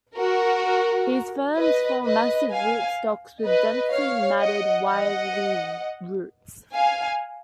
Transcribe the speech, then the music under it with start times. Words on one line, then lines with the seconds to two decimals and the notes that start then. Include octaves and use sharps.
These ferns form massive rootstocks with densely matted, wiry roots.
0.17 F#4 A#4
1.57 B4 D#5
2.04 B4 D#5
2.51 F5 G#5
3.44 B4 D#5
3.91 C#5 F5
4.38 D#5 F#5
4.85 D#5 F#5
6.72 F5 G#5